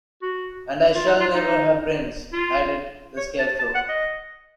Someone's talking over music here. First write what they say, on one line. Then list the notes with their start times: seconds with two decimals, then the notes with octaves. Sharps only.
"And I shall never have brains," added the Scarecrow.
0.22 F#4
0.95 F4
1.06 D#4
1.20 F4
1.35 D#4
2.33 F4
3.17 C#5
3.39 A5
3.59 A5
3.74 F#5
3.89 D#5